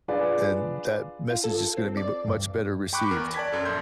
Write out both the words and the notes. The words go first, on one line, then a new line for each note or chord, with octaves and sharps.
then that message is gonna be m much better received.
D4 F4 G#4 B4 D5
F4
A4
C4
D5
G2
G5 B5 C#6 D6 F#6
E2 A#4
D5 A5 G#6 B6
F#2 A4
A#1 C6 G6